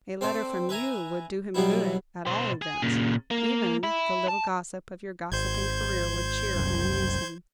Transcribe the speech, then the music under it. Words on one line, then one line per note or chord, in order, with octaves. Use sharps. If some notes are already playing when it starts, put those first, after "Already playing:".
A letter from you would do him good, at all events; even the little gossip of your gossiping career would cheer and amuse him.
C4 A4 C5 D5
B4 E5 G#5 A#5
B2 F#3 G3 B3 E4
B2 C5
G#4
A#2 C#3
A#3
E4
A5
G#1 C5 G6 G#6
F#1 C2 F#2